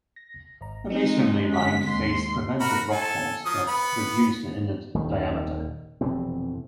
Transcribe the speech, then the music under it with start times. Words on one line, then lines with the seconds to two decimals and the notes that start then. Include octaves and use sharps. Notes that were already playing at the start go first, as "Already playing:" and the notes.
A masonry-lined face prevented rock falls, but reduced the inner diameter.
0.16 A#6
0.61 G#1 A#5
0.90 G#3 A3 C4 D#4 G#4
1.54 G1 B6
1.89 D#2 C6
2.60 F#4 A#4 B5
2.92 A4 G#5
3.45 F3 F#3 D#6
3.67 B3 B5
4.94 D#1 D#2 D#3
6.01 F1 B2 E3 C4